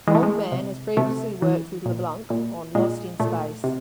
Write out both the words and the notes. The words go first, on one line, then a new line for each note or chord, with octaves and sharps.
Oldman had previously worked with LeBlanc on "Lost in Space".
E3 G#3
A3
G#3
C3
C3 A3
E3
A#2
A#2
A#2 G#3
A#2 A3
C3